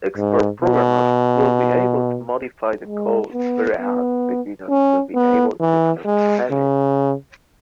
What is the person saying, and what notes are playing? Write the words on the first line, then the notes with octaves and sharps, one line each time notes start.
Expert programmers will be able to modify the code whereas beginners will be able to understand it.
G#2
B2
G#3
B3
B3
C#4
B3
E3
G#3
C#3